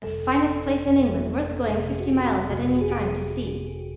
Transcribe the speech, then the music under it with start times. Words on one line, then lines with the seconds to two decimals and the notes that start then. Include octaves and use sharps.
"The finest place in England--worth going fifty miles at any time to see."
0.03 G1 F2 C3 A4
0.86 G1 F2 C3
1.67 G1 F2 C3 G#4
2.00 F#4
2.08 G4
2.49 G1 F2 C3 F#4
2.81 G#4
2.91 G4